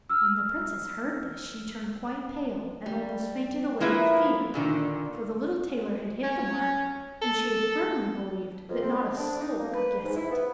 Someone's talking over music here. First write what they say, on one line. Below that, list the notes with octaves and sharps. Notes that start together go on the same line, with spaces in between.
When the Princess heard this she turned quite pale, and almost fainted away with fear, for the little tailor had hit the mark, and she had firmly believed that not a soul could guess it.
E6 F6
G3
F3 A#3 E4 B4 E5
A#2 D3 D#3
C#4
A4
F2
C4
D3
D4
D#4
A#3
B4
G#2
E4
B3